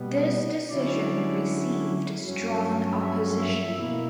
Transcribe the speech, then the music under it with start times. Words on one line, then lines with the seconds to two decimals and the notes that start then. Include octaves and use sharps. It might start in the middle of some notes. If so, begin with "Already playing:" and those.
This decision received strong opposition.
Already playing: B2 G3 B3
0.69 D3 F#3 C#4 E4 D5
2.24 G2 F#3 C#4
3.00 E5
3.39 E5
3.77 B2 A#3 E4